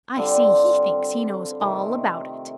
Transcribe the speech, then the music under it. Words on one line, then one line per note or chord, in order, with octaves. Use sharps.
I see he thinks he knows all about it.'
D3 G3 C4 F4
C3 D#3 A3